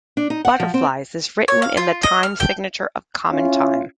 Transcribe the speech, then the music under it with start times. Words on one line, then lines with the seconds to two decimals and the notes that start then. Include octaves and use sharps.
"Butterflies" is written in the time signature of common time.
0.17 D4
0.30 D#4
0.45 F#5
0.60 F3
0.74 C4
1.48 C#5
1.62 F5
1.77 F4
2.03 D#5
2.23 F6
2.40 G5
3.31 C#4 E4 F4